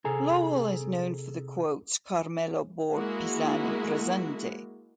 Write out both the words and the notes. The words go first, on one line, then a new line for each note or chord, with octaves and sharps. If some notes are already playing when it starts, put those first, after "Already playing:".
Lowell is known for the quotes Carmelo Borg Pisani, presente!
C3 G#4 A4 G#5 A#5
G#3 A#3 E4 F#4